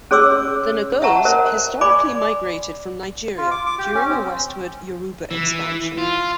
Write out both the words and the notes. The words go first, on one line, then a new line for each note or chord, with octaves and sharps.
The Nagots historically migrated from Nigeria during a westward Yoruba expansion.
C#4 G#4 C#5 C6 D6 E6
E5 F#5 G5 A5 A#5 C#6
A#4 C5 E5 F#5
D5 G#5 B5 C6 D6
F4
D6
D6
G4
C#4
C4
E3
F4